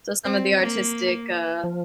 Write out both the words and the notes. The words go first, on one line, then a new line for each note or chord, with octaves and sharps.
So, some of the artistic, uh,
C4
A#3
F3